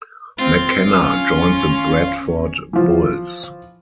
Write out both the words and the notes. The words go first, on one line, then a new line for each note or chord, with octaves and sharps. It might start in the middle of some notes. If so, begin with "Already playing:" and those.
McKenna joined the Bradford Bulls.
C4 F4
C#4
E3 F3